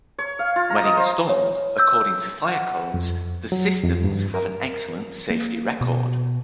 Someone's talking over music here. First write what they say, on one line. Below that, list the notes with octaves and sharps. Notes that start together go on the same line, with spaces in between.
When installed according to fire codes the systems have an excellent safety record.
C#5
F5
F4
A#5
D#5
C5
C#5
E6 G6
F#5
F2
F#3
F2
G2
A#4
A#3
B2